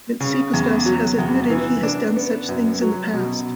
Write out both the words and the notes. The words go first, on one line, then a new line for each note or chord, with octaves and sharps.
Mitsikostas has admitted he has done such things in the past.
C#3
E2
F#3
E2
E3
D4
B3
F#2
F#3
B2